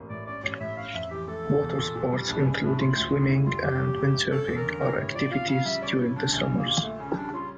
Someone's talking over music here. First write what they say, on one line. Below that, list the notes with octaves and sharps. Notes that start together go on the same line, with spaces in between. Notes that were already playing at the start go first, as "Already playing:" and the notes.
Water sports including swimming and windsurfing are activities during the summer.
Already playing: A1 A#3
A2 D5
C#4 D5
A1 C#5
A2 E5
C#4 F5
F2 E5
E3 G4
A3 A4
E1
E2
A#2
A#2
G3
A#1 D4
A#1 C#4
A2 D4
C#4 F4
D2
D3
F1 E4
F1 F4
F2 G4
C#4
A1
G2
C#4 A4
E2
A#4
D3
G4 A#4
A2 C#5
F3 D5
F4 F5
C#3 F5
G3 E5
C#4 D5
G2 E4
D3 D4
A#1 C#4
A#1
A#3
A#2
A3 A4
C#3 C#4
C#4
G3 D4
C#4 F4